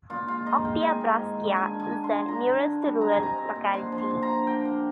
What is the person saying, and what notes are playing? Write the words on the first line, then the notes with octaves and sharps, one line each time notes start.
Oktyabrskaya is the nearest rural locality.
A#2 F4
G#3 F4
D#4 D#5
G#3 G5
D#3 G#5
D#3
G#2
D#3
D4 G#5
D#3
G#5
D4
C6
D4
D3 A#5
D3
D3
G3
D#4 A#5
G#5
C4 A#5
C4
A#2
D3 C6
F3
C6
D3
A#5
D3
A#3 G5
A#3